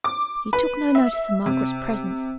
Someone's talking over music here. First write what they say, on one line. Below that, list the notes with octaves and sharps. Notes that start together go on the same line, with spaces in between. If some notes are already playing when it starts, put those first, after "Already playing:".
He took no notice of Margaret's presence.
D6
B4
E5
C3